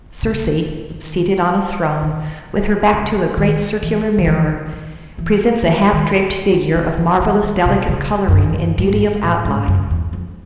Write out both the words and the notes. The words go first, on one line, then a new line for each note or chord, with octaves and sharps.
Circe, seated on a throne, with her back to a great circular mirror, presents a half-draped figure of marvellous delicate colouring and beauty of outline.
C#3
C#3
D3
D#3
D#3
C#3
D#3
E3
D#3
E3
D#3
E3
D#3
D#3
D#3
D#3
D#3
E3
D#3
C3
C#3
F#2
G2
G#2
A2
G#2
F#2
E2
F2